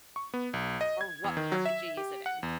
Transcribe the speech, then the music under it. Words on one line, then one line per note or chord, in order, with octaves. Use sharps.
Or what part would you use it in?
C#6
B3
B1
D#5
G#6
E2
D#3
F#3
E5
G4
F#5
E2